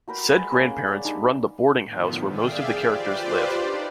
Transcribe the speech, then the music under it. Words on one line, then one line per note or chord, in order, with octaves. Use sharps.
Said grandparents run the boarding house where most of the characters live.
F#4 A#4 B4 G5
G#3 B4
A#3 C#4 G#4 B4
D5 F#5
G#3 D4 D#4 G4
A2 D3 D#3 F3 B3
G#4 D5 E5 F5 G5
F4 G4 B4 C5 D5
D4 D#4